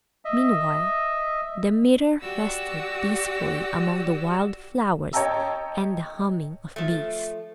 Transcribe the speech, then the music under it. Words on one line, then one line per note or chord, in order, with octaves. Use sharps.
Meanwhile the mirror rested peacefully among the wild flowers and the humming of bees.
D#5 E5
F#4 G4 D5 F#5 E6
C#5 D#5 G5 A5 A#5 E6
F3 A3